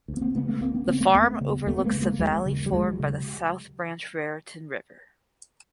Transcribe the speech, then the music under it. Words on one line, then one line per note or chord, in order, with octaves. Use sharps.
The farm overlooks the valley formed by the South Branch Raritan River.
D2
B3
A#3 C4
C#3 A3 B3
A3 B3
D2 A#3 C4
B3 C#4
C#3 A#3 C4
A3 B3
D#2 A3 B3
C#3
D#2 A3 B3
B3
G#3 A#3
C#3
G#3 A#3
D#2 F#3 G#3
C#3
G3
D#2 F#3 G#3
C#3